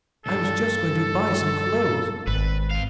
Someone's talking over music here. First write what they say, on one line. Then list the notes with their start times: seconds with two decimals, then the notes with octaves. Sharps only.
I was just going to buy some clothes.
0.26 C#2 G2 A4
2.27 G#1 B4
2.71 C4 F5